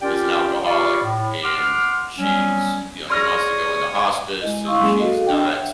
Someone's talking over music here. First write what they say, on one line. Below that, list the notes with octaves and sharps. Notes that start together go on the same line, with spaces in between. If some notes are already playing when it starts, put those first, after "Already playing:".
is an alcoholic and she's, you know he wants to go into hospice and she's not
C#4 F4 G4 A#4 D5 G5
F4 G4 D5 F5 B5 C#6
A2
F#5 C6 D6 F6
F#3 G3 B3 C#4
G#4 C#5 D5 C6 D#6 F6 A#6
G#3 E4 D#5
E4 F5 C6 C#6 D#6 E6
F#3 G#3 A#3 C#4 G#4
F#4 A4 D#5 F5
D4 G5
C#5 E5 F#5